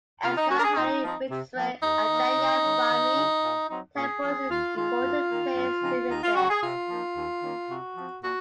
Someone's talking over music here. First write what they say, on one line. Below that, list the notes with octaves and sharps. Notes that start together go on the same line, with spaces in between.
S. Gollahalli Village Sri Anjaneya Swami temple is an important place to visit.
C3 F4
D#4
F#3 A#3 C#4 F#4
A#4
G#4
A#2 D#4
F3 C4 D#4
C3
F3 A#3
D#2 D#4
D#3 A#3
C3
D#3 G#3 C#4
D#2
C#3 F#3
A#2
F#3 C4 D#4
A#2 G#4
F3 C4
D#2 F4
D#3 G#3 F4
F#2
D#3 A#3
F#2
C#3 F3 C4 D#4
D#2 D#4
F4
C#3 F#3 C#4 F#4
G#4
C3 F4
F3 A#3 D#4
D#2
D#3 A#3 C#4
C3 F#4
F3 C4
A#2 F#4